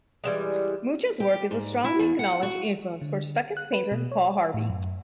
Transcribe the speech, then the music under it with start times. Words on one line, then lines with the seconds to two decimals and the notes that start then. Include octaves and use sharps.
Mucha's work is a strongly acknowledged influence for Stuckist painter Paul Harvey.
0.24 E3 G3 G#3
1.20 G4
1.51 G#2
1.85 E4
1.99 E2
2.19 F#5
2.43 F#4
3.02 D3
3.57 F#6
3.73 B4
3.92 B2
4.12 C#5
4.54 A2
4.70 F#2